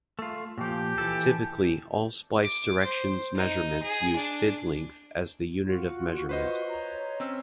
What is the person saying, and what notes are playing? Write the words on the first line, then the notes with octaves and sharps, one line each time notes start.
Typically, all splice directions measurements use fid-length as the unit of measurement.
A3 F4
A#2 F3 G4
E3 A4
D6
C5
D#4
G#4
D4
F4 F#4
B4 C5 D#5
C#5 A#5
C4 C#4 E6